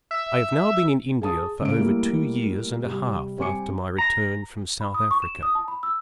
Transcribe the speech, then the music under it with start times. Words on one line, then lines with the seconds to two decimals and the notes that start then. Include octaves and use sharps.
I have now been in India for over two years and a half after my return from South Africa.
0.11 E5
1.22 G#4 A5 D#6
1.62 C#3 D7
1.77 G3 A3 A#3 E4
2.84 C3 G3
3.38 G3 C4 G#5 D6 C#7
3.98 A#5
4.81 B5
4.94 D#6
5.11 C#6
5.22 E7
5.43 D#6
5.55 A5
5.68 B5
5.83 E6